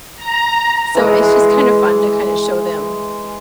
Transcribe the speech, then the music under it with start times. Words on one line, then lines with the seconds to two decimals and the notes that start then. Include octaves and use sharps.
so, it's just kind of fun to kind of show them,
0.16 A#5
0.95 E3 G#3